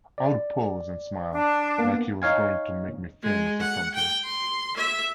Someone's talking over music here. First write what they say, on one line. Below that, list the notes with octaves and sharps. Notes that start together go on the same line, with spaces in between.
I'd pose and smile like he was going to make me famous or something.
D5
D4
A#3 B3
D#4 C#5 F5 G#5
G#3
F#5
G5
C6
E5